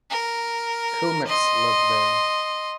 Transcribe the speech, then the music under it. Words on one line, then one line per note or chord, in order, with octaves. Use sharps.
Kumyks live there.
A#4
D#5 C6